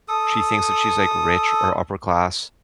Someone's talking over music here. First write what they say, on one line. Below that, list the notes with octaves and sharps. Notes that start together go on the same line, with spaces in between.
she thinks that she's, like, rich, or upper class,
A4 D#6